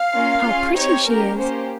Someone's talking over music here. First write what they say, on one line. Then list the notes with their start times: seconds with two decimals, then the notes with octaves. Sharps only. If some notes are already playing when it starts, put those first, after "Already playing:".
How pretty she is!
Already playing: F5
0.14 A#3 C#4 F4
0.45 C#4 F4 G#4
0.76 C4 D#4 G4 C#5
1.06 A#3 C#4 G4 A#4
1.36 A#3 C#4 G4 C5